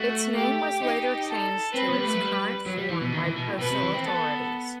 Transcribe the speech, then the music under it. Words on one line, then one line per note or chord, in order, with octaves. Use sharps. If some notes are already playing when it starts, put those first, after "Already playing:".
Its name was later changed to its current form by postal authorities.
Already playing: A3 F#4
G4
D#4
A4
C4 B4
B3
G3
A3
F#3
G3
F#3
G3
E3
B2
D#3
E3
B2
A2
B2 B4
C3
E3
C4
B3 A4